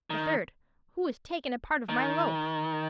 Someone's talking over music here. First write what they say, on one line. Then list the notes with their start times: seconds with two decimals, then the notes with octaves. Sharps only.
The third, "Who has taken part of my loaf?"
0.10 D#3
1.89 D#3